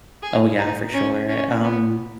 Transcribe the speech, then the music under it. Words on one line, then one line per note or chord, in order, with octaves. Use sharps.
Oh, yeah, for sure. Um,
G#4
D#4
C#4
C#4
B3